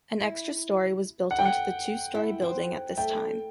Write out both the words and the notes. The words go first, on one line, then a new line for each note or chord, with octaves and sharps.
An extra storey was built onto the two storey building at this time.
E4
F#5
G5
F#5
E4
C4
A3 G5